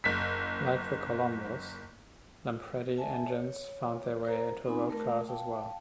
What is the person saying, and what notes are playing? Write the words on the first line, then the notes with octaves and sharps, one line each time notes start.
Like the Colombos, Lampredi engines found their way into road cars as well.
F#1 B6
E5 G#5 A5
C#5
A#4 C5 A#5
B3 C4 D#4 G#5 B5
A3 A#4
F5 G5 A5